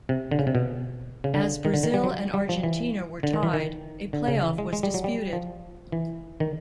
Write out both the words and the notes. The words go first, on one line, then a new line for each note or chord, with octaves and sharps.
As Brazil and Argentina were tied, a playoff was disputed.
C3
D3
C#3
C3
B2
C#3
D3
D#3
D3
D#3
G3
F#3
G3
F3
E3
D3
D#3
E3
D#3
D3
C#3
E3
G#3
G#3
G3
F#3
G3
F3
E3
D#3